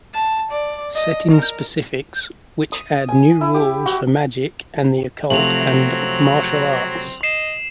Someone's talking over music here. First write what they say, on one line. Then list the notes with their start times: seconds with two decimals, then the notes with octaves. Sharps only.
Setting Specifics, which add new rules for magic and the occult, and martial arts.
0.14 A5
0.51 D5
0.95 D#5
1.30 A#4
2.72 D#6
3.09 G#5
3.41 E4
3.54 G4
3.86 F#4
5.30 C3 F3 F#3 A3 C4 F7 F#7
7.23 D#5 C7 E7